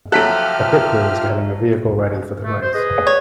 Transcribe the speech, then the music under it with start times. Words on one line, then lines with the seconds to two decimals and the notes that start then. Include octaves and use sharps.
A pit crew is getting a vehicle ready for the race.
0.12 F3 F#3 G4 A4 E5 F6 F#6 B6
2.44 A3
2.62 C5
2.74 G#4 B4 D#5
3.07 C#5